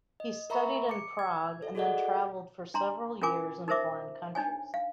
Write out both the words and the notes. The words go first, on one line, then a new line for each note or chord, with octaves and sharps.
He studied in Prague, and then traveled for several years in foreign countries.
D#5
A#4 E5 A#5 B5 C#6
D6 C#7
G#6
A4
F#4 G#4 A4 D5 D#5 F#5
D4 A#5 C6
C#4 F4 A#4 G#5 D6
D#4 A#4 C5 E5 D6
D4 D#4 C#5 G#5
F5